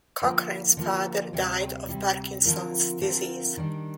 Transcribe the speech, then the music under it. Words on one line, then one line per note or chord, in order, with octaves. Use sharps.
Cochrane's father died of Parkinson's disease.
D3 F3 A#3
D3 F3 A#3
D2 C3 G3
D2 C3 G3
D3 F3 C4 F4 A#4
D3 F3 C4 F4 A#4
D#3 G3 D4